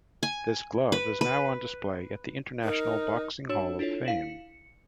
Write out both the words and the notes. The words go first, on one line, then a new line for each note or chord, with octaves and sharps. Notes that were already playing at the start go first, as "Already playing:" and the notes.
This glove is now on display at the International Boxing Hall of Fame.
G#5
B4
B4
D#4 A#4
D4 F#4 C#5 E6 E7
D4 E4 F4 A4 C#5
E4 F5 B6 E7 F#7
C#7